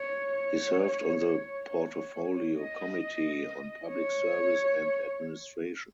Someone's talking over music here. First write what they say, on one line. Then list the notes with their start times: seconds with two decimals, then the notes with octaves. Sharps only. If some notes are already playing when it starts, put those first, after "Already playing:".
He served on the Portfolio Committee on Public Service and Administration.
Already playing: C#5
0.33 C#5
1.22 C#5
1.67 C#5
2.55 D#5
3.88 C#5